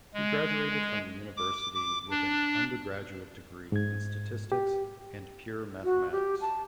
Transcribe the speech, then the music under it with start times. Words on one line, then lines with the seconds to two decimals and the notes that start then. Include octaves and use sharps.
He graduated from the university with an undergraduate degree in statistics and pure mathematics.
0.14 G#3
1.37 D6
1.75 D6
2.10 D4
3.72 G#2 G#6
4.52 G4
5.84 F#4
6.12 G4
6.41 A5